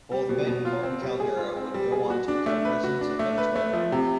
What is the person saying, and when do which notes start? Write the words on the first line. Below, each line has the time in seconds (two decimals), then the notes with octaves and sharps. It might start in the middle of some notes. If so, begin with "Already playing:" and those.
Both Betancourt and Caldera would go on to become presidents of Venezuela.
0.12 G3
0.29 B2
0.47 B2
0.65 F4
0.83 C4
1.02 G3
1.20 G#4
1.37 F4
1.56 C4
1.74 G3
1.92 G#4
2.10 F#4
2.28 D4
2.46 A3
2.65 B4
2.83 F#4
3.01 D4
3.19 A3
3.38 B4
3.56 A3
3.73 F3
3.92 C3